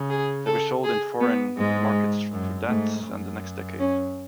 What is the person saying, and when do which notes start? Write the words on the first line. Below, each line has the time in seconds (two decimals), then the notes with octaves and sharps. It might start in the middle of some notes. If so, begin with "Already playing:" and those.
They were sold in foreign markets through that and the next decade.
Already playing: C#3
0.09 G#4
0.46 A4
0.84 G#4
1.20 B3
1.57 G#2 G#3
2.31 F#2
2.68 G#2 A3
3.05 F#2
3.79 C#4